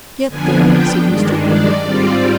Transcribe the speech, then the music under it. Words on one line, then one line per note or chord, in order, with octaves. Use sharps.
"Get there," said Mr. Bloom.
F2 D3 F3 B3 D4 G#5
G5
G2 D#3 G#3 D4
D5
G#2 G3 C4 F4